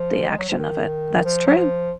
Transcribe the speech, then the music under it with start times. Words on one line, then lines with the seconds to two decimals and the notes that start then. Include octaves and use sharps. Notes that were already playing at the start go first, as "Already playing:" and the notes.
The action of it. That's true.
Already playing: F3
0.29 G#3
0.39 F#3
0.49 F3
0.59 D#3
1.25 F3
1.47 F#3
1.57 F3